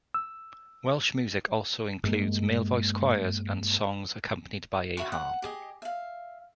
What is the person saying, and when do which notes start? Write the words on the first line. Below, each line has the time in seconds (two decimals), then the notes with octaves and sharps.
Welsh music also includes male voice choirs and songs accompanied by a harp.
0.14 E6
2.03 G2 G#3 A#3
4.97 F#4 E5 B5 C#6
5.12 F#5
5.42 G4 G#4 D#5
5.82 E5 F5